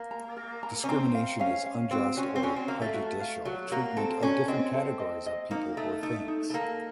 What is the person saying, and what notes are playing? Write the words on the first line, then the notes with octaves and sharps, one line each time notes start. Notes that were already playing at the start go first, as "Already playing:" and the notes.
Discrimination is unjust or prejudicial treatment of different categories of people or things.
Already playing: A#3
A#5
A#4
A#5
C#4
C4 A#5
F5
C#4 F5
F5
C4 F#4
C#4 F#4
C4
C#4 F#4
C4
A#3 F5
A3
F#4
F5
F#3 F#4
A#3 F#4
C4 A4
C#4 F#4
C4 D#5
A4
D#5
D#5
A#3 D#4
A3 D#4
A3 D#4
D#4
A3
A#3 A4